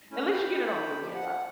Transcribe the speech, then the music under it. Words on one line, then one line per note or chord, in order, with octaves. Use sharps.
At least you get it on the weekend, though.
A3 C#4 E4
G5 B5
F3 G4
F#5